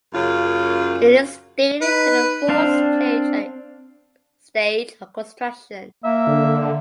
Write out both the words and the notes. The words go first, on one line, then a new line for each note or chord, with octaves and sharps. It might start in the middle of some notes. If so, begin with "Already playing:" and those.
It is dated to the fourth stage of construction.
F#2 C#3 A#3 F4
D#4 B4
C4 D4 C5 F5
A#3 E5
D3